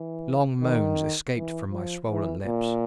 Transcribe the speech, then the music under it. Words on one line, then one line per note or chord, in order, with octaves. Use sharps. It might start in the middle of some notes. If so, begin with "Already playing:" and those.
Long moans escaped from my swollen lips.
Already playing: E3
D#3
E3
F3
E3
A#2